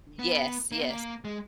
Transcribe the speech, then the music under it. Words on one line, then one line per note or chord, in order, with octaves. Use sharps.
Yes, yes.
B3
A#3
B3
A#3
G#3